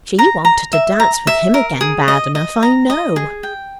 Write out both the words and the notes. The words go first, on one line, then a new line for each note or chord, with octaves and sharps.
She wanted to dance with him again bad enough, I know.
A#5
A#5
E5
A#5
E5
A#4
G#4
D#5
D#5
A#5
D#5
G#4
G5